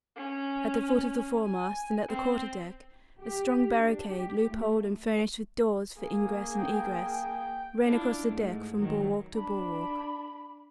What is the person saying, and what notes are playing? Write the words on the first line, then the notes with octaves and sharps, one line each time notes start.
At the foot of the foremast, and at the quarter-deck, a strong barricade, loop-holed and furnished with doors for ingress and egress, ran across the deck from bulwark to bulwark.
C#4
G#5
C4
G4
D4
G4
A3
A#3 G#4
G5
D4 E4 F4
G#2 A3
D#3 F#3
D4 B5